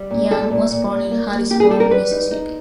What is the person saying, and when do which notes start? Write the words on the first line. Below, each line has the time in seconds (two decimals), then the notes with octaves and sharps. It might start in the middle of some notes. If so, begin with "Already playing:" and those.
Young was born in Hattiesburg, Mississippi.
Already playing: G3
0.11 A#2
0.30 G3 A4
0.51 A#2
0.70 A#2
0.90 A#2
1.11 A#3
1.31 A#3
1.50 A#3 G4
1.60 G#4
1.70 G3 A4
1.80 A#4
1.90 G3 B4
2.11 D#4
2.31 D#4